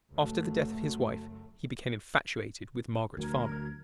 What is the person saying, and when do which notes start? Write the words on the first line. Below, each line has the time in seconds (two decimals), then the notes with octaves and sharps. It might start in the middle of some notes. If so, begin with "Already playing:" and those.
After the death of his wife he became infatuated with Margaret Farmer.
0.15 C#2 F#2 F#3 A3
3.17 D2 F#3 A#4 G#6